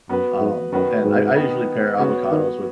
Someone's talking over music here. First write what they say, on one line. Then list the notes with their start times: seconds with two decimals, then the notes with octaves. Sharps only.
Um, and I I usually pair avocados with
0.09 F#2 B3 F#4 B4
0.40 G#2
0.72 F#2 D#3 B3 F#4 B4
1.03 G#2
1.35 D#3 B3 D#4 B4
1.98 C#3 B3 F#4 C#5
2.31 D#3